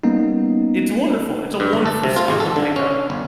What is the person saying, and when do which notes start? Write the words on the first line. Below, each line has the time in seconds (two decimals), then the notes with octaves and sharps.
It's wonderful. It's a wonderful skill to pick up,
0.04 G3 A#3 B3 C#4 D#4
1.60 G2
1.73 G1
1.86 A4
2.03 C3
2.16 F4
2.28 G#1
2.40 A4
2.56 D3
2.76 C#4
3.10 G1